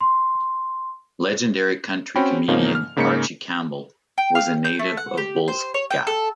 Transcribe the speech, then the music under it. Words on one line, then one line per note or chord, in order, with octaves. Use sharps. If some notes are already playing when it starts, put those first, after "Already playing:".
Legendary country comedian Archie Campbell was a native of Bulls Gap.
C6
C4 C#4 F#4 G5 B5
G#2 C#3 F3 A#3 C#4 D#4
F6
G#2 C#3 A#3 D#4 B6 C#7
G5
F5
G6
A3
F#5
G4
C5
C#5
G5
A4